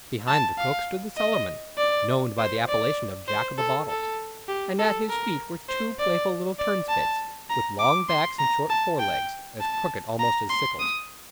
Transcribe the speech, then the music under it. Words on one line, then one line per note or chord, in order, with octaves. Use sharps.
Behind the cook stood the cellarman, known by the appellation of Jack of the Bottles, and at his feet were two playful little turnspits, with long backs, and short forelegs, as crooked almost as sickles.
A5
F5
D#5
D5
C5
D5
C5
A4
A4
G4
A4
A#4
C5
D5
D5
A5
A#5
D6
C6
A#5
A5
G5
A5
A#5
C6
D#6